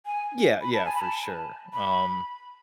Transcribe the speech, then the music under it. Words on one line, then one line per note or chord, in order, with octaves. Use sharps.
Yeah, yeah, for sure, um,
G#5
B5
A5
G#5
B5
A5
B5